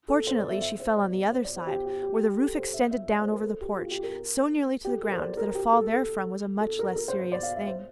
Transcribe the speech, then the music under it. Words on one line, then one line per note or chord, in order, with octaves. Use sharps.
Fortunately she fell on the other side, where the roof extended down over the porch so nearly to the ground that a fall therefrom was a much less serious thing.
A4
C5
D5
E5
E5
C5
D5
C5
D5
C5
G4
G4
G4
A4
C5
E5
E5
D5
C5
A#4
A4
G4
F4
G4
A#4
G4
A4
A#4
C5
D5
A#4
G4
A4
A4
A#4
A#4
C5
C5
D5
F5
E5
C5